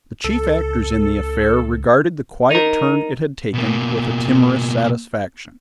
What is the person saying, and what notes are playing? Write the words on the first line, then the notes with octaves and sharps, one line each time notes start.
The chief actors in the affair regarded the quiet turn it had taken with a timorous satisfaction.
C#2 A4
D#4 A#4
B2 A#3